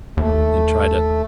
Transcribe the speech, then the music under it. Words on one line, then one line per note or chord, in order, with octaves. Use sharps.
and try to
D#2 A3